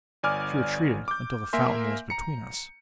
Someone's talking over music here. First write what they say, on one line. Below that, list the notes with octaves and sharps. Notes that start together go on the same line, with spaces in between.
She retreated until the fountain was between us.
G1 D5 G#5 D6 F6
D6 G6
A#3 A#4 E5 G#5 C6
A#5 C#7